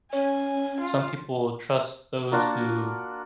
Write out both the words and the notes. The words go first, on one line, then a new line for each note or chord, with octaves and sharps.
Some people trust those who
C#4 C#5 G#5
F4
A#3 D4 F4 F#4